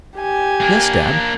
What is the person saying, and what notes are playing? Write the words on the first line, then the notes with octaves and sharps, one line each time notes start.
"Yes, dad."
G4 G#5
A#3 D4